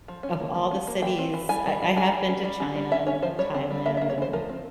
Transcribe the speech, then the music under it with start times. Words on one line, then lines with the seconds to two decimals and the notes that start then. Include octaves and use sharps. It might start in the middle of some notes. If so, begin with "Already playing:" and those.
of all the cities I I have been to China and Thailand and,
0.08 F3
0.23 C#4
0.40 A#3
0.55 G3
0.71 C#4
0.87 A#3
1.02 E3 G5
1.19 C4
1.34 E3
1.49 G3 G#5
1.66 G3
1.82 G3
1.96 G3 G#5
2.12 G3
2.29 C#4
2.44 G3
2.60 C#4
2.76 G3
2.92 C#4 E5
3.07 C#4 C#5
3.22 F3 C5
3.39 G3 C#5
3.54 C4
3.70 G3
3.86 A#3 E5
3.97 E5
4.01 A#3
4.10 C#5
4.18 E3 C5
4.33 F3 A#4
4.49 C4